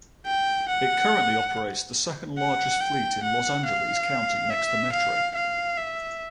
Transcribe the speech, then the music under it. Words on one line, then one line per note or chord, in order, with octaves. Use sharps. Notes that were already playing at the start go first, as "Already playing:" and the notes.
It currently operates the second-largest fleet in Los Angeles County next to Metro.
G5
F#5
F#5
G5
F#5
F5
E5
F5
F5
E5